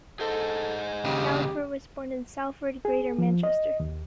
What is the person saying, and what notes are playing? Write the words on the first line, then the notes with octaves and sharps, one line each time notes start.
Gallagher was born in Salford, Greater Manchester.
G#4 A4 C5 D#5
D#2 C#3 G4
G#4
F3
D#5
D#2